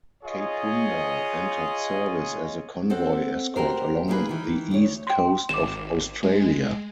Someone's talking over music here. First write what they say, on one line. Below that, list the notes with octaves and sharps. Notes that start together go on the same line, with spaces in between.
"Kapunda" entered service as a convoy escort along the east coast of Australia.
F4 G#4 C#5 D#5
C4 A4 C5 D#5 F#5
F#4 G4 A#4 C5
G#3 A#3 D#4 E4 G#4 B4
D#3 E3
D2 C#5
G5 C6
G#1 D6 E7
G#3